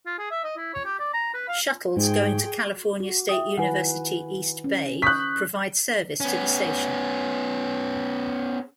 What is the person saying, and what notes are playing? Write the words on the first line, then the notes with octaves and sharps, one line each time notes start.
Shuttles going to California State University, East Bay provide service to the station.
F4
G#4
E5
D#5
E4
C#5
G4
D5
A#5
B4
F5
G#2 G#4 G5
F#4
E5 G5 D#6
D#3 E4 B4 F#5 G#5
C#4
C#6 D#6 F#6 G6 B6
B3 C#4